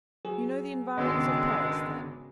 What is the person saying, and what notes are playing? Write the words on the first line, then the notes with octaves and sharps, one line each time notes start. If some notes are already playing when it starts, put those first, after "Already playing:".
"You know the environs of Paris, then?"
F#3 G#4
G#1 D3 D#3 G#3 B3 C#4 F#4
C#3